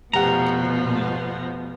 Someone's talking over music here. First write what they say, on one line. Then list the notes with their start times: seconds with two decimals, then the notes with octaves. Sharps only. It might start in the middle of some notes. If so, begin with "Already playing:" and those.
took me
0.14 F1 B2 F3 B3 F#5 A#5